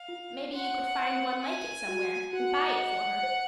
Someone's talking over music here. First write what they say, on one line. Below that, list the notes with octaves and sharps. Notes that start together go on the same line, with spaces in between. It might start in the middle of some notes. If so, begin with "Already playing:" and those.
"Maybe you could find one like it somewhere and buy it for her."
Already playing: F5
F4
F#5 C6
F5
C5 G#5
F#4
F#4 F#5
D#5
C5